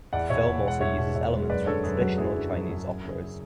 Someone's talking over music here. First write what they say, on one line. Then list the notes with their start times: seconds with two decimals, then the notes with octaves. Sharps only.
The film also uses elements from traditional Chinese operas.
0.13 E2 D5 F#5
0.30 B2 C#5 E5
0.47 E2
0.64 G#3 F#5
0.81 E2 C#5 E5
0.98 B2
1.15 E2 C#5 E5
1.33 G#3
1.49 F#2 B4 D5
1.66 D3 A4 C#5
1.83 F#2 G#4 B4
1.97 B4
2.01 F#3 F#4 A4
2.18 F#2 E4 G#4
2.36 D3
2.53 F#2
2.69 F#3
2.87 F#2
3.04 C#3